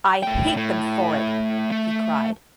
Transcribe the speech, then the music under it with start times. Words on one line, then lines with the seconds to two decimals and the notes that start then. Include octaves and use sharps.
"I hate them for it," he cried.
0.23 A3 G5
0.57 A2
1.72 A3